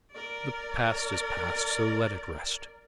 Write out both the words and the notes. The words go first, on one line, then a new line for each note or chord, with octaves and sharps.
The past is past, so let it rest.
A#4 D5